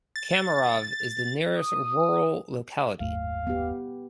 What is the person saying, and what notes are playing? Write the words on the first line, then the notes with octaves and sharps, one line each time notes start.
Komarov is the nearest rural locality.
A6
D#6
F#1 D#2 G#2 A3 F5
B3 G4